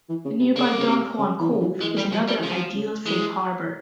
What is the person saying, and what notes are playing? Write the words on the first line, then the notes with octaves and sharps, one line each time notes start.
The nearby Don Juan Cove is another ideal safe harbor.
E3
C#3
C3
C#3 A#3
C#3
C3
C#3
E3
C#3
E3
E3 G#3
G3
F3
G3
E3
C#3 F3
C#3
E3 G#3
E3